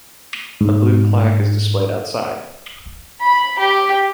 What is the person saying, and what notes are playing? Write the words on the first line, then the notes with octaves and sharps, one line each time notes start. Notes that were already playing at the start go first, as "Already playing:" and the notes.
A blue plaque is displayed outside.
G#2
B5
G4